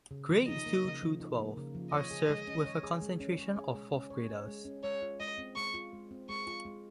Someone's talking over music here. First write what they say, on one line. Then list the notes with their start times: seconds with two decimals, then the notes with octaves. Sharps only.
Grades two through twelve are served with a concentration of fourth graders.
0.11 C#3
0.30 F3
0.48 D#4 D#5
0.66 A#3
0.85 C#3
1.03 F3
1.20 D#4
1.38 A#3
1.57 C#3
1.75 F3
1.92 C#5 D#5
2.11 G#4
2.29 G#3
2.47 C#4
2.66 C#5
2.83 G#4
3.02 G#3
3.20 C#4
3.38 C#5
3.56 G#4
3.74 G#3
3.93 C#4
4.10 C#5
4.29 G#4
4.48 G#3
4.65 C#4
4.83 G#3 C#5
5.02 F4
5.20 G#3 D#5
5.38 C4
5.56 G#3 C#6
5.74 F4
5.93 G#3
6.11 C4
6.29 G#3 C#6
6.47 F4
6.65 G#3